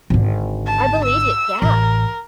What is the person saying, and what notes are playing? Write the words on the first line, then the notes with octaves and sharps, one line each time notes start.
I believe it, yeah.
G#1 D3
A5
E6
A1 A#4